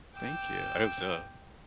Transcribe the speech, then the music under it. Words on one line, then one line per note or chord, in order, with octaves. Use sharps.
Thank you. I hope so.
G5 D6 E6